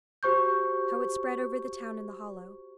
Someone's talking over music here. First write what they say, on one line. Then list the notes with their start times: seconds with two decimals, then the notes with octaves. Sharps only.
How it spread over the town in the hollow!
0.23 F#4 G4 C5 C#6 G6